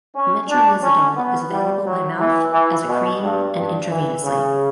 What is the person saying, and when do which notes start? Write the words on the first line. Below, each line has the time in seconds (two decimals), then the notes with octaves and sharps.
Metronidazole is available by mouth, as a cream, and intravenously.
0.15 C#4
0.49 D4
0.83 C#4
1.17 B3
1.51 G3
1.85 F#3
2.19 E3
2.53 E3
2.87 B2
3.22 G2
3.56 G2
3.89 E3
4.23 C#3